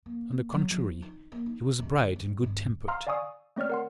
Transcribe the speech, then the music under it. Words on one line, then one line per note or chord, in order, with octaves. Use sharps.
On the contrary he was bright and good-tempered.
A#3
F#3
F3
D#4
A#3
D#4
D1
G2
G1
F5 A#5 C6 E6 F6
D5 F5 G#5 C#6 D#6 E6
A3 C4 C#5 D5 F6
A#4 F#5 C6